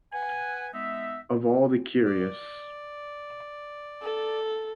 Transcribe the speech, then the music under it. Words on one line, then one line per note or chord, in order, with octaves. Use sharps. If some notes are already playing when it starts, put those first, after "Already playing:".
Of all the curious!
B4 F#5 G#5
G#3 B3 D#4 E5
D5
A4